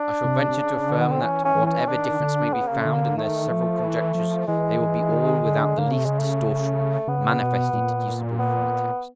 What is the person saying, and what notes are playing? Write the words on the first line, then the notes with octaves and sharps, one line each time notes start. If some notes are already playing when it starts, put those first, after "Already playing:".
I shall venture to affirm that, whatever difference may be found in their several conjectures, they will be all, without the least distortion, manifestly deducible from the text.
Already playing: D4
C3
C3
C#3
D3
D#3 B3
D3 C4
E3 C#4
C#4
E3
C#4
D#3 D4
D3
C#3 B3
A#3
A3
D3
A#3
D#3 A3
F3
E3
F3
E3 G#3
E3
D#3
D3
D3 A#3
C#3
C3 A3
C#3 G#3
A3
C#3 B3
B2
A#2
B3